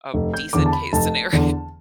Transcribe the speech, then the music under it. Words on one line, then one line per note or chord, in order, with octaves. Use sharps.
a decent case scenario
F1
G6
E2 D3 D6
A5
B5
F1 A5
E2 D3